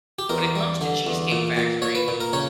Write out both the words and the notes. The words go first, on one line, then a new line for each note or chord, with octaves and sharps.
when it comes to Cheesecake Factory,
G4
E2 A#4
G3
D3
E2
A#2
A#2
A#2 C#5
B4
A#2
A#4
C#3 C#5